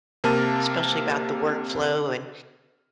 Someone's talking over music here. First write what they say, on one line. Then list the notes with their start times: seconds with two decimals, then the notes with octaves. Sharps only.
especially about the work flow and
0.24 C3 A#3 A#4 A5 F6 D#7